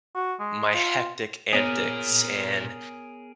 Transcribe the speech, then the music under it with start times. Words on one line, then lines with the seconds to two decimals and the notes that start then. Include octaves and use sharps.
my hectic antics and
0.15 F#4
0.40 G#3
0.74 F4
1.53 A#2 B3 G#4 A#4 C#5 D7 D#7